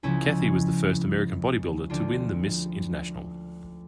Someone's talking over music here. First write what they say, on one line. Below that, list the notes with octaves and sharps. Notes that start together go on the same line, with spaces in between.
Cathey was the first American bodybuilder to win the Ms. International.
C#2 C#3 F3 C#4 E4
D2 D3 F3 D4 F4